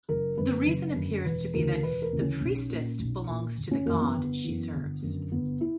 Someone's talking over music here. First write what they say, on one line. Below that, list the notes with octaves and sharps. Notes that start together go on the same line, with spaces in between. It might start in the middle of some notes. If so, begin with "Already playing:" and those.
The reason appears to be that a priestess belongs to the god she serves.
F#1 A#4
F#2 D3 B4
F#1
F#2 D3
E1 B4
D2 C#3 E3 A#4
E1 B4
A#4
D2 C#3 E3
C#4
B1
A#2
B1
A#2
G1
C#4
F#2 E3 A#3
B3
G1
F#2 E3
G1
F#2 D3
G1 B3
E4